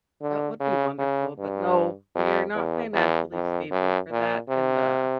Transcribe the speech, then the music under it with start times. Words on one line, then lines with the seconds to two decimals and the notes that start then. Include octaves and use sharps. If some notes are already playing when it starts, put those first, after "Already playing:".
That would be wonderful, but no, we are not financially stable for that and, uh,
0.22 D3
0.60 C#3
0.98 C#3
1.38 G2
2.15 F2
2.55 E2
2.93 E2
3.33 F2
3.71 F#2
4.11 A#2
4.49 C3